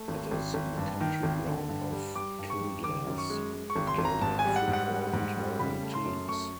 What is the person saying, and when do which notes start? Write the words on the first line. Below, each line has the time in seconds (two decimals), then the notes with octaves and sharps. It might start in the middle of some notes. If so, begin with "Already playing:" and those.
It is the county ground of Kildare's gaelic football and hurling teams.
Already playing: A3
0.08 G#1
0.31 G#1
0.54 G#1
0.77 G2
1.00 D#3
1.23 G#1
1.47 D3
1.69 G2
1.92 G3
2.15 G3 D6
2.39 G2
2.50 C#6
2.61 G3
2.84 D#3 D6
3.07 F#2
3.18 C#6
3.30 G#3
3.53 G#3
3.70 C#6
3.76 G#1
3.87 C6
3.98 G#1
4.05 A#5
4.21 G#2 A5
4.39 G#5
4.45 G3
4.56 F#5
4.68 G#2
4.73 F#5
4.91 G3
5.13 G#2
5.36 G3
5.59 C#3 B5
5.82 A3
5.94 C6
6.05 F#2
6.28 A3 C#6